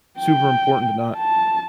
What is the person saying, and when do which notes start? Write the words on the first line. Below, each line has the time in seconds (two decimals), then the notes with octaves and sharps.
super important to not
0.20 G5
1.17 A5